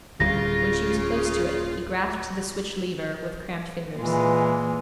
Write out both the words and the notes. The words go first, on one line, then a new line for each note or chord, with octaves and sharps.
When she was close to it he grasped the switch-lever with cramped fingers.
D1 C#3 G3 F4 A#6
A#2 E3 G#3